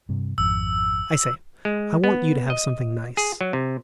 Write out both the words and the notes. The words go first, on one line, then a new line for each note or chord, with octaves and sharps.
I say, I want you to have something nice.
G2 C3
G#1 F2 E6
G#3
B3
D#5
G#4
F#3
C3